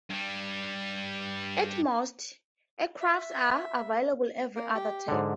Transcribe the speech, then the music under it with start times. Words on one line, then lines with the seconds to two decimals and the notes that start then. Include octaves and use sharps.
At most, aircraft are available every other turn.
0.10 G2 G3
3.01 E5
4.56 A#3
4.75 G4
5.08 G#2 D3